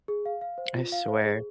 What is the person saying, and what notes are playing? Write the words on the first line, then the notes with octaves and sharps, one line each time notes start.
I swear
G#4
F5
F5
C5
F4
F5
C5
G#4